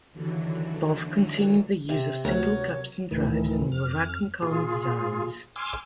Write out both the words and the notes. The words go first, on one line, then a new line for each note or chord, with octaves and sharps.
Both continued the use of single capstan drives and were vacuum column designs.
D#2 D3 E3 F#3
C3
D2 C3 F#3 B3 A#4 C#5
D2 A2 D#3 E3
F2 F6
A#2 F4 G#4
G#5 C6 D6 E6 F6